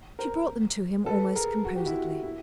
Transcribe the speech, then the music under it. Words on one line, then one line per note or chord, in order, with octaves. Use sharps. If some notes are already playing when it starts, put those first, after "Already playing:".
She brought them to him almost composedly.
A#4 C5
A4 B4
G#4 A#4
F#4
G4
E4 F#4
E4